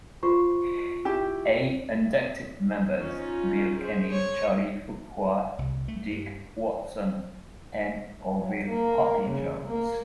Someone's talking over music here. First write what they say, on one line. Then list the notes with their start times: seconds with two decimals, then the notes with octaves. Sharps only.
A. Inducted members: Bill Kenny, Charlie Fuqua, Deek Watson, and Orville "Hoppy" Jones.
0.23 F4 C5 C#6
1.05 E4 G4
2.99 C#4 D#4 F4
3.77 G#4 C5
4.11 C#5
5.59 C2
5.88 A3
6.10 G2
8.38 F#3
8.68 A#3
9.29 C#3
9.66 A#3